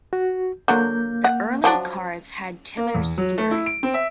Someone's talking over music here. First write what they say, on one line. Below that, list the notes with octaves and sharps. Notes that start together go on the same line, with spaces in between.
The early cars had tiller steering.
F#4
D3 F#3 A#3 G6
F#5
F3 F#3 D4
A#3
E2
F#3
A3
E4
D7
C4
E5